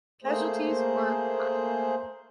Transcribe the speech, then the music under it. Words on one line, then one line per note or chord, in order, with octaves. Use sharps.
Casualties were high.
A3 A#3 G#4 C5